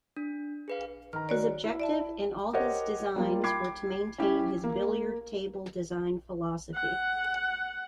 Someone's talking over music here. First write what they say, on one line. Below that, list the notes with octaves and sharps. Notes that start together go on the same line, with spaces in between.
His objective in all his designs were to maintain his "billiard table" design philosophy.
D4
G#4 B4 F5
D#3 A#5 F6
F#4 C#5 D5
E4
D5 E5 A5
E4
G4 A#4 C5 C#5 D#5 F#5
G3 A#3 F4
G5 B5 D6 G#6 C7
C#4 E4 G4
A#3
F#5